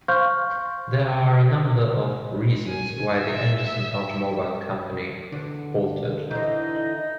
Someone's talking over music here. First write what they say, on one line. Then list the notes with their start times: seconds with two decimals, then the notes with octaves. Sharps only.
There are a number of reasons why the Anderson Automobile Company faltered.
0.08 C5 F5 C6 C#6 F6 G6
2.67 G#5
3.19 E5
5.32 E2 D3 D4
6.31 E3 D#4 C5 D#5